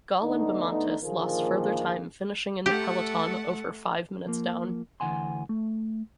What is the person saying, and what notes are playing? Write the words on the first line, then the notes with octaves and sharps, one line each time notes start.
Gaul and Bahamontes lost further time, finishing in the peloton over five minutes down.
D3 A3 B3 D4 D#4
A#2 D3 D#3 F3 A#3 G#4
A3 G4 A4 F#5
F3 A#3
D2 E3 F#5 G#5 C6
A3